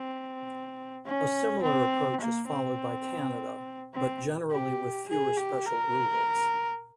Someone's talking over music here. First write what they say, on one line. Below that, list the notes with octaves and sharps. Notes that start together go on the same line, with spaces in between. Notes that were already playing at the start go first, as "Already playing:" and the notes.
A similar approach is followed by Canada, but generally with fewer special rules.
Already playing: C4
C#4
C4
A#3
C4
C4
G4
G#4
G4
A#4